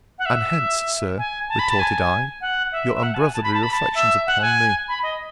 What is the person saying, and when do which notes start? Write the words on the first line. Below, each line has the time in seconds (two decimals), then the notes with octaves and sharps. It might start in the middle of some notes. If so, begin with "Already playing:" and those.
And hence, Sir, retorted I, your unbrotherly reflections upon me?
0.19 F#5
0.26 E5
1.18 G#5
1.49 A5
1.59 B5
1.69 A5
1.80 G#5
2.41 F#5
2.72 E5
2.95 E5
3.03 F#5
3.14 A5
3.18 G#5
3.34 A5
3.44 B5
3.54 A5
3.63 B5
3.73 A5
3.95 E5
4.27 F#5
4.42 G#5
4.88 B5
5.03 D#5